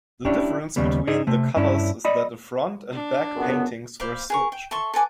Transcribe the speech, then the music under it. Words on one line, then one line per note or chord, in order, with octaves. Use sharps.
The difference between the covers is that the front and back paintings were switched.
C#4 D4 E4 G4
D#2 C#3 G3 B3
D#4 G#4 D5 D#5
C3 A3
G2 C#4 D4 E4
D5 D#5 B5
D4
C#2 F#2 B3
C5 D5 F5 B5
G#4 A#4 C#6
G5
A4 E5 C6 C#6
A4 B4 G#5 D6